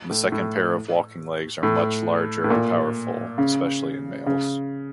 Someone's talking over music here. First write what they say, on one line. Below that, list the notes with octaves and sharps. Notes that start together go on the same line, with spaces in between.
The second pair of walking legs are much larger and powerful, especially in males.
A2
A2
A2
A2
A#2
C#3
C#3